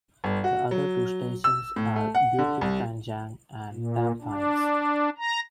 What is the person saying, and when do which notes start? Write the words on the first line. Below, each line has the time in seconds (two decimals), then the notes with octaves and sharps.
The other two stations are Bukit Panjang and Tampines.
0.24 G1
0.44 F#4
0.71 F#3
1.44 E6
1.76 A2
1.96 A3
2.15 F#5
2.39 D3
2.61 C2
3.72 A#2
4.21 D4
5.18 A#5